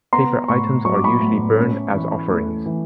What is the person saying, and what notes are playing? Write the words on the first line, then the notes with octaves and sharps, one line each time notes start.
Paper items are usually burned as offerings.
B3 A#5 C6
A2 B5 C#6
F#3 C#6
D6
B5 C#6
A2
C#4
E3
A3
E3